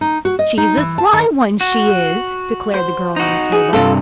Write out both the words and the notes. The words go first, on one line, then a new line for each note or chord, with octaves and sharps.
"She's a sly one, she is," declared the girl on the table.
D#4
F#4
D#5
D#4
E3
A5
D#3
F#4
C5
D#4 F#4
G#4
G2 C3 F4 A4